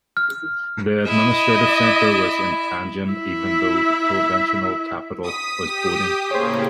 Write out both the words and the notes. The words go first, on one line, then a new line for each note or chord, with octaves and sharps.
The administrative centre was in Tianjin even though the provincial capital was in Baoding.
F6
E4 D#5 E5
E4 E5
D#6 B6
G4
A2 C#3 A#3 G#4 C5 C#5